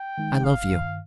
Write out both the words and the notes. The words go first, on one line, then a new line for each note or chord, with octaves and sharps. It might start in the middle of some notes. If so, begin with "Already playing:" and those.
"I love you!"
Already playing: G5
D#3 G#3 D#4
G1 F5
G2 D#3